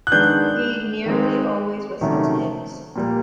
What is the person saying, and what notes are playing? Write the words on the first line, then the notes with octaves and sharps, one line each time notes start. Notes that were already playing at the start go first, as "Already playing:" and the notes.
He nearly always whistled hymns.
F#6
D#3 G#3 B3 D4 G6
D#3 G#3 C4
C3 D#3 F#3 A3 C#4
A#2 G3 A#3